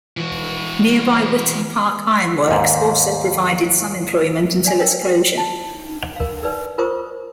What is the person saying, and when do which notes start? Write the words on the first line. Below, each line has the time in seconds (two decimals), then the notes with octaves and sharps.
Nearby Witton Park Ironworks also provided some employment until its closure.
0.17 E3 F#4
2.48 D#2 G#2
4.65 D5 E5 G#5
4.79 D4 A#4 C#5 D#5 G5
5.38 A5
6.16 A#4 F5
6.43 D#4 B4 D5 E6
6.78 F4 A#4 C5 A#5 C#6 D#6